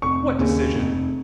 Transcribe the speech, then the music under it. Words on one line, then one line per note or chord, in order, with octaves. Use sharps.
What decision?
F1 C#6
D#2 C#3
F1